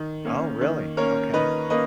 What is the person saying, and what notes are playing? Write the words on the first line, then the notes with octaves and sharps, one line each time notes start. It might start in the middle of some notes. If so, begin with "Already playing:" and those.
Oh, really? Okay.
Already playing: D#3
A#3 C#4
D#3
A#3 C#4 A#4 C#5
D#3 B4 D#5
A#3 C#4 B4 D#5